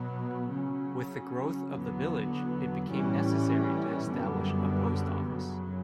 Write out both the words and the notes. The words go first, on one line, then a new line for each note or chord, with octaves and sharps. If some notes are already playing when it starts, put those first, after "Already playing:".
With the growth of the village, it became necessary to establish a post office.
Already playing: B2 F#3 B3
C#3 F#3 C#4
E2 D3 F#3 B3
A2 E3 G3 C#4
F#2 D3 G3 B3
F#2 C#3 F#3